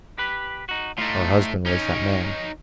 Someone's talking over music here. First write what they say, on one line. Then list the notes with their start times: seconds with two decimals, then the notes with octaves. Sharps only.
Her husband was that man.
0.18 G4 B4
0.69 D#4 F#4
0.98 A2 A3 D#4 F4
1.66 C#4 D#4 C#5